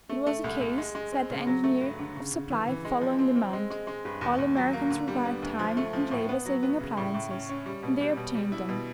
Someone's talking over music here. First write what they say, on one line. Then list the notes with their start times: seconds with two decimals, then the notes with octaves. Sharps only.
It was a case, said the engineer, of supply following demand; all Americans required time--and labor-saving appliances, and they obtained them.
0.09 A3
0.27 A3
0.44 C2
0.61 C2
0.78 G#3
0.95 G#3
1.12 C4
1.30 C#3
1.47 F#3
1.64 A3
1.81 G2
1.99 D3
2.16 C#3
2.33 C#3
2.50 E3
2.68 E3
2.85 G#3
3.01 F3
3.19 C4
3.36 C4
3.53 G#3
3.70 G#3
3.87 G#3
4.05 G2
4.21 D#2
4.39 D#2
4.56 F#3
4.73 A#3
4.91 D3
5.08 G3
5.25 B3
5.42 D2
5.59 F3
5.77 A3
5.93 F3
6.11 A2
6.29 B3
6.46 F#3
6.63 B3
6.80 C#3
6.97 A2
7.14 A2
7.31 C#4
7.49 C#4
7.66 G3
7.83 B2
8.01 G3
8.17 B2
8.35 G3
8.52 E4
8.69 B2